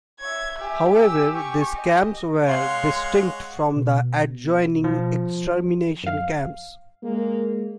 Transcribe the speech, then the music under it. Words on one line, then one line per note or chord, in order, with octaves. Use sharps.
However, these camps were "distinct from the adjoining extermination camps".
C#5 E5 G#6
G4 E5 G#5
E6
C#6
D#5
G#3 C#5 F5 F#5 C6
B2
F3
F#2 F5
G#3 A#3